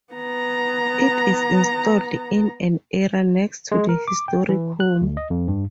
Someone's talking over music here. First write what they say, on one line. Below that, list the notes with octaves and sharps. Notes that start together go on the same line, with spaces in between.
It is installed in an area next to the historic home.
B3 A#5
G#3
A#4
D6
G5
E3
F#6
D2
D#5
F2
G2